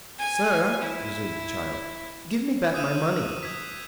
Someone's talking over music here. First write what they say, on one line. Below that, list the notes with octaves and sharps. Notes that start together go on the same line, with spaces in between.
"Sir," resumed the child, "give me back my money."
G#5
E4
D#6 E6 F#6 G6 D#7 E7
D#6 G#6 B6